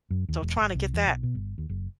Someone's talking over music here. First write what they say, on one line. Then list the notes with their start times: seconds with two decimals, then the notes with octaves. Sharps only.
So, trying to get that
0.10 F#2
0.29 D#2
0.42 E1
0.61 G#1
0.75 C2
0.94 E2
1.06 B1
1.23 B2
1.35 G1
1.58 D#2
1.69 F#1